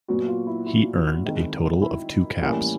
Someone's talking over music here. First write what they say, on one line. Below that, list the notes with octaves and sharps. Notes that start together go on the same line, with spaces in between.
He earned a total of two caps.
A#2 F#3 B3 F#4
F4
E4
E4
D#3 G#3 C4
E4
A2 E3 G3 A#3 C#4